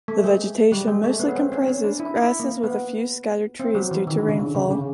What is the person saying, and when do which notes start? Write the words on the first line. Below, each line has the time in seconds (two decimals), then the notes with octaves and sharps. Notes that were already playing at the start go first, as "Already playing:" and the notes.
The vegetation mostly comprises grasses with a few scattered trees due to the rainfall.
0.08 A3
0.24 G#3
0.72 G3
0.88 G#3
1.04 A3
1.20 B3
1.28 C#4
1.35 C4
1.52 C#4
1.68 C#4
1.84 D4
2.00 E4
2.16 E4
2.40 A#3
2.64 B3
3.60 C4
3.75 F#3
3.91 E3
4.07 D#3
4.18 D3
4.29 C#3
4.39 D3
4.55 C#3
4.71 C#3